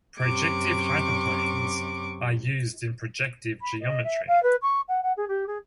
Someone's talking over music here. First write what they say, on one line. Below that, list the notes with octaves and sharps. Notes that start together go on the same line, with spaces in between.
Projective hyperplanes, are used in projective geometry.
F#2 C3 C#6 D6
B5
D#5
E5
F5
B4
C#6
F#5
F#5
G#4
G4
G#4